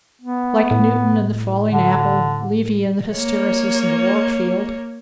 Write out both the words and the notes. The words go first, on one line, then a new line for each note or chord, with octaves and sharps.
Like Newton and the falling apple, Levy and the hysteresis in the warp field.
B3
A2
D3
A#3 C#5